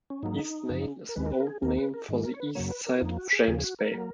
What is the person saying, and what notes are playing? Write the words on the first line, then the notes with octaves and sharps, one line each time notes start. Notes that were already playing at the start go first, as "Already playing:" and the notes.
'East Main' is an old name for the east side of James Bay.
C#4
G#2 F#3 A#3 D#4
F#2 C#3 F3
A#4
D#2 D#3 G#3 B4
A#4
B4
A#4
G#4
D#2 D#3 A#3 A#4
B4
A#4
G#2 D#3 G#3
A#4
C#5
B4
F#2 C#3 F#3 A#3 C#5
B4
A#4
F4
F2 F3 A#3 D#4
F#4
G#4
A#4
D#2 C#3 F3 G#4
G#4
F#4
A#4
F#3 A#3